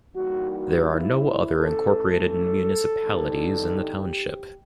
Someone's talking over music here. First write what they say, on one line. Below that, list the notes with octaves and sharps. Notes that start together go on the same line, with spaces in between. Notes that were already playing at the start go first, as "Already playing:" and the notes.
There are no other incorporated municipalities in the township.
E3 G3 A#3 D#4 F#4
F#4
E4
E3 A3 C#4 A4
D3 G3 B3 D#4
G4